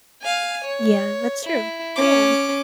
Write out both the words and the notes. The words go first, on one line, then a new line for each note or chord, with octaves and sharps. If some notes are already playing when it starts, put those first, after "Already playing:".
Yeah, that's true, yeah.
F5 G#5
C#5
E4
C#4 D6